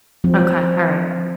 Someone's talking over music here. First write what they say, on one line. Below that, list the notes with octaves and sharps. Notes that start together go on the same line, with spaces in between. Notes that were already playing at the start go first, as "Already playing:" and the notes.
Okay, alright.
F3 C4